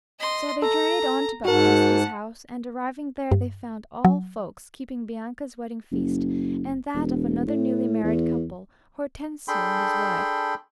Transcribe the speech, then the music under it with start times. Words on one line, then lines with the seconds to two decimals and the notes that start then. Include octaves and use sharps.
So they journeyed on to Baptista's house, and arriving there, they found all folks keeping Bianca's wedding feast, and that of another newly married couple, Hortensio and his wife.
0.20 D#5 C6
0.62 A4 A#5
1.45 G#2 F#4 A#4 F#5 A5
3.32 G2
4.05 F#3
5.92 F#1
6.95 E1
7.47 A2
8.04 E2
9.48 D4 G#4 A4 G5 B5 C6